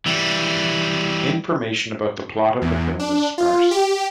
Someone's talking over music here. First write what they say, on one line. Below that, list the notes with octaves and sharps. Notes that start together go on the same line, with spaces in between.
Information about the plot of the film is sparse.
E3 G3
E2
D4
F4
G4